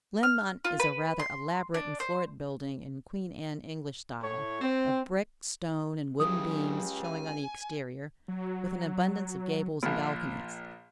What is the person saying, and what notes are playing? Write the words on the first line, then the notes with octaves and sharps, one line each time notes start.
Glenmont is a rather elaborate and florid building in Queen Anne English style, of brick, stone, and wooden beams showing on the exterior, with an abundance of gables and balconies.
F6
F4
B4
C6
D4
C5
A2 C#5
C4
C#2 C#3 F#3 E4 G4 D#6
G#5
F#3
A#1 A#2